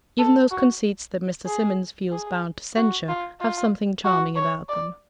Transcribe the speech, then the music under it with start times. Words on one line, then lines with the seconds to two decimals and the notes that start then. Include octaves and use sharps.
Even those conceits that Mr. Symonds feels bound to censure have something charming about them.
0.19 A4
0.51 F#4
1.47 G#4
2.12 G#4
2.76 F#4
3.09 F4
3.41 F4
4.05 F#4
4.36 C#5
4.69 D5